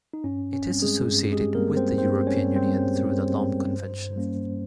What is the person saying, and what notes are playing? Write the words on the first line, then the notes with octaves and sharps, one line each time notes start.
It is associated with the European Union through the Lome Convention.
D#4
G2 C#4
C#4
G3 C4
G#3 G#4
G2
G4
G#3 G#4
G3 A#3 C4 A#4
C4 C5
G2 C4 C5
C#4 C#5
G3 C4
C4 C5
G2
G3 C4
G2
G3 A#3 C#4